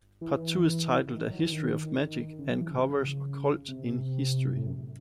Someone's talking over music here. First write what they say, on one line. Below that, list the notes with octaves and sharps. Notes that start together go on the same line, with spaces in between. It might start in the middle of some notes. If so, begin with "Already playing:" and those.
Part two is titled "A History of Magic" and covers occult in history.
E3
D#3
F#3
E3
D#3
C#3
F#3
E3
C#3
C3
A2
F#2